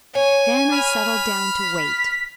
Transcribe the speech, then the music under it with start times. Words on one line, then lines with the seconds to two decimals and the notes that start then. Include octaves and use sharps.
Then I settled down to wait.
0.15 C#5 G#5
0.73 B5 F6
1.61 B6